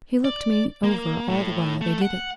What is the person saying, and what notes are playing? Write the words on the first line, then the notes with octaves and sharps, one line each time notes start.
He looked me over all the while they did it.
D5
A#3
A2
A3
F#5